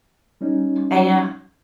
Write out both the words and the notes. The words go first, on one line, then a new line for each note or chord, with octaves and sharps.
I know.
G3 C#4 D#4